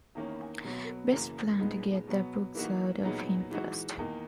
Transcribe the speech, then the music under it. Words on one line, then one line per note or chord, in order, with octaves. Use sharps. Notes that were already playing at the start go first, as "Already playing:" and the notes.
Best plan to get the books out of him first.
E2 D#3 A#3 C#4
B2 F#3 B3
F#2 C#3 E3 A#3
A#2 G#3 B3 D#4
B2 F#3 B3
E3 A#3 D#4 F#4
A#2 F#3 B3 D#4 G#4
E3 G#3 D#4 F#4
E2 D#3 A#3 D#4